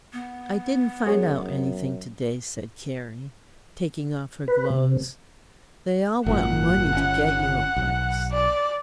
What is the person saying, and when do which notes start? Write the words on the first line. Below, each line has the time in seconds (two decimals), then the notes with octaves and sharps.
"I didn't find out anything to-day," said Carrie, taking off her gloves. "They all want money to get you a place."
0.13 B3
1.07 F#2 G#4 C#5
4.48 B4
4.70 C3
6.26 G#1 F#2 A#2 F#5
6.92 G1 C#4
7.76 B1
8.31 D5